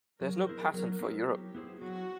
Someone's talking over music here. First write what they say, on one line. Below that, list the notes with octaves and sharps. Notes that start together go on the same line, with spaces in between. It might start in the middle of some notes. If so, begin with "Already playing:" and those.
There is no patent for Europe.
F#3 A#4
B3 E4 G#4 C5
F#3
B3 E4 G#4 C5
F#3 G4
B3 E4 G#4 C5
F#3 F#4